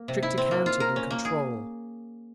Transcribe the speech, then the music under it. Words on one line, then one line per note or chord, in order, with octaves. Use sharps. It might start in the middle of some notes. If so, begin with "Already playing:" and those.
Strict accounting and control!
Already playing: A#3
C3
E4
C4
A#3
F4
A#4
C#4
A#3
G#4